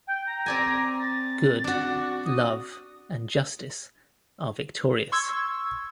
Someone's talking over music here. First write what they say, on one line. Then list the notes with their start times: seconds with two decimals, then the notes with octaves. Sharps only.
Good, Love and Justice are victorious.
0.07 G5
0.26 A#5
0.46 C4 D5 G#5
1.00 A6
1.64 D4 F#4
2.25 D#6
5.12 C6 C#6 E6 G#6